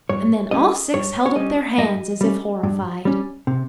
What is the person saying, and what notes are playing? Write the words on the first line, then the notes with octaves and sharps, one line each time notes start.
And then all six held up their hands as if horrified.
G2 C#5
G3 C#4 D#5
G2 C#5
C#5
G3 C#4 D#5
G2 D#5
G3 C#4
G2
G3 C#4
C3